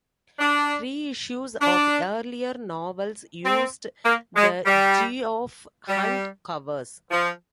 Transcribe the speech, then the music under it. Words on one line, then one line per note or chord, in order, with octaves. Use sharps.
Reissues of earlier novels used the Geoff Hunt covers.
D4
D4
C4
A#3
G#3
G3
G3
F3